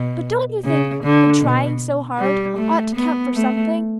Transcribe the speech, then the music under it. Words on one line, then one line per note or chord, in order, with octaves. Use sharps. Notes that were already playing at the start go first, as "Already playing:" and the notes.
But don't you think the trying so hard ought to count for something?
Already playing: B2
C#3
D3
B2
G3
A3
B3
A3